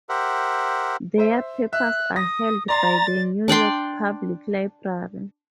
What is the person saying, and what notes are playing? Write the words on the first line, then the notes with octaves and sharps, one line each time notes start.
Their papers are held by the New York Public Library.
G4 A#4 C5 E5 F#5
C5 E5
E5 F#6
D#6 A#6
D5 A#5 C6 A6
D4 D5 G5 C6